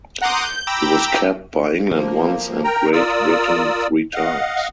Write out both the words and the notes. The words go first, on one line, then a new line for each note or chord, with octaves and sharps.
He was capped by England once and Great Britain three times.
F#5 A#5 C6 D6 D#6 G6
G6
G5 A#5 B5 D6 E6
F3 A#3
A#4 G5 A#5
F4 A#4 D5 D#6 E6
D#5 F5 F#5